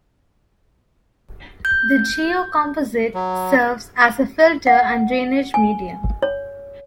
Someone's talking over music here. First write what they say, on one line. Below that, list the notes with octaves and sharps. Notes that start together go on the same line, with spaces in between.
The geocomposite serves as a filter and drainage medium.
G6
F#3
F#5
G#5
C#5